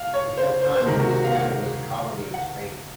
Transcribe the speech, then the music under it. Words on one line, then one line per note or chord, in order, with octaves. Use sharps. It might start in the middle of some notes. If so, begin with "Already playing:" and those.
At that time Louisiana was a colony of Spain.
Already playing: F5
C#5
C5
C5
C5
C3 D#3 G#3 A#4
F#4
F#4
F5
F#5
F#5